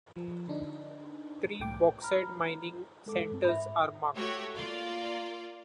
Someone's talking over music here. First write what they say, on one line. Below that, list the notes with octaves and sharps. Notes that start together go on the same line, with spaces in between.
Three Bauxite mining centres are marked.
F3
D3 D4 D#4
C2 A2 G5 D6
A#5 B5 F6
G#3 A4 D6
G2 C4
G#2 E5 B5
A3 F#4 G4 C#5
A#3 F4 D5